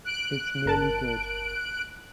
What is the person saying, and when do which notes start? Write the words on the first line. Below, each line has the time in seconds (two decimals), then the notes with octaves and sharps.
It's merely good.
0.05 F#6 D7
0.65 G1 A#4 A5